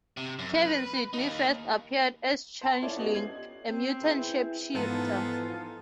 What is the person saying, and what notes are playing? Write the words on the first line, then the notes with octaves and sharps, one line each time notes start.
Kevin Sydney first appeared as Changeling, a mutant shapeshifter.
C3
F#2
B4
A#3 D#4
C5 A5
C#4 E4 F4 A4 C#5 D5
B3 C#4 G4 D#5
G#6 C7 F#7
C4
E4 G#4 B4
G#2 E3 F3 B3 D#4 F4 A4